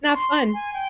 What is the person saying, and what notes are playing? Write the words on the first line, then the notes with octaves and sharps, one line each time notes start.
Not fun.
C#6
C6
G#5
G5